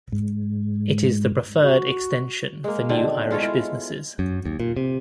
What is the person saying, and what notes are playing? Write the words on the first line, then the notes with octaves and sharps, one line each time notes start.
It is the preferred extension for new Irish businesses.
G#2
F#4
G#3 A#3
B2 D3 D#3 C4
G#3 F4 A4 C#5
E4 F4
F#2
D#2
A#2
C3